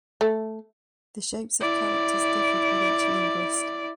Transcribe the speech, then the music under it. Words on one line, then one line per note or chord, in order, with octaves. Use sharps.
The shapes of characters differed with each linguist.
A3
E4 D5